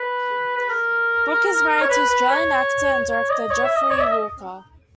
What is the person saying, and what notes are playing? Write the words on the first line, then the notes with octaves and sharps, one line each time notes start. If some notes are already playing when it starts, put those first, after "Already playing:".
Brooke is married to Australian actor and director Jeffrey Walker.
Already playing: B4
B4
A#4
C#5
B4
B4
C#5
C#5
D#5
C#5
E5
D#5
C#5
E5
D#5